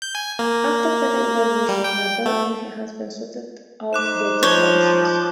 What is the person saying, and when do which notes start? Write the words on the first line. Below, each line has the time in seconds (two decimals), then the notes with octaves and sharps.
After further evaluation, LaBelle and her husband sorted out their differences.
0.02 G6
0.15 G#5
0.39 A#3
1.69 G3
1.84 G5
2.26 A3
3.93 D#4 C5 D6 F#6 E7
4.43 F3 C#5 G6 G7